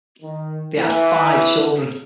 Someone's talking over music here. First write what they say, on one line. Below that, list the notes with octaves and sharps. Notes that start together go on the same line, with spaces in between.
They had five children.
D#3
E3